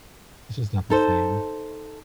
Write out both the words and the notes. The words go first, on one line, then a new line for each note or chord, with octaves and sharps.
It's just not the same.
D#4 A4 C5